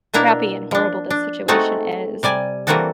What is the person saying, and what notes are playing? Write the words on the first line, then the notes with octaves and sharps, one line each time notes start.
crappy and horrible this situation is,
B2 A#3 D4 E4 A#5
F3 D4
D4
G#3 A3 C4 D#4 F#4 A4
C3 G3 D5 G#5
E3 G3 A#3 C4 F#4 A4